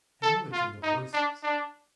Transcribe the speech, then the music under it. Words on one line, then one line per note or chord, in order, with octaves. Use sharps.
I knew it from the voices.
A4
F4
D#4
D4
D4